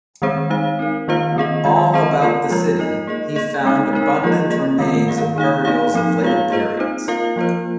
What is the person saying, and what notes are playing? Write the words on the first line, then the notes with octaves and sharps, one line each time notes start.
All about the city he found abundant remains of burials of later periods.
D#3 G#3 C4 G#4 C5
G#3 D#4 C5 F5
C4 D#4 A#4
D#3 A#3 F4 C5 F5
D#3 C4 G#4 D#5
D#3 G#3 F4
C4 G#4 C5 D#5
A#3 F4 A#4
F3 G#3 F4
D#4 A#4 D#5
A#3 G#4 D#5
A#3 G#4 D#5
G#3 C4 D#4
G#3 D#4 A#4
F3 A#3 F4 G#4 D#5
A#3 G#4 D#5
D#3 G#3 C4 F4 A#4
D#3 A#3 G#4 F5
A#3 D#4 G#4 F5
A#3 D#4 G#4 F5
F3 C4 D#4
G#3 F4 G#4 F5
A#3 F4 G#4 C5 D#5
C4 D#4 C5
A#3 F4 A#4 F5
F3 A#3 F4 C5